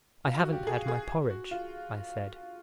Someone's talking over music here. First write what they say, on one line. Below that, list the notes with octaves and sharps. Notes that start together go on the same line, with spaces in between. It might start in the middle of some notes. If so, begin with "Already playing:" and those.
"I haven't had my porridge," I said.
F4
F#4
G4
G#4
G#4
F#4
F4